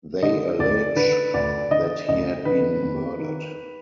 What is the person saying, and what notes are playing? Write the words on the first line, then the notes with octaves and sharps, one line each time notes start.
They allege that he had been murdered.
D3 D#5
D2 D5
D3 B4
D2 D5
D3 D#5
D2 D#5
D3 B4
F2
D#3